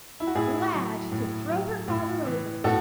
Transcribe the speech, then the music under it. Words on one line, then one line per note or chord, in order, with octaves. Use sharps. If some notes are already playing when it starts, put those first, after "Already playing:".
Glad to throw her father over!
E4
F#4
A2 E4 G#4
F#3
A2
F#3
A2
E3
A2 F#4 A4